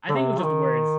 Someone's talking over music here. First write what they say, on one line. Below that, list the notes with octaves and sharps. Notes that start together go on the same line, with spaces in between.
I think it was just the words.
D3
C3
F#3
D#3